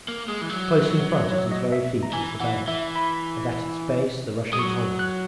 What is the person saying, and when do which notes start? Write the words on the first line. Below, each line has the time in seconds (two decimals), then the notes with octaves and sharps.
Close in front at his very feet was the bank, and at its base the rushing torrent.
0.08 A#3
0.28 G#3
0.41 E3
0.49 F#3
1.31 C#5
1.51 D#5
1.72 E5
2.03 A#5
2.13 E3 G#5
2.40 E3 F#5
2.68 E3 E5
2.96 B5
4.53 G#3 D#6
4.58 F#3 C#6
4.99 F#6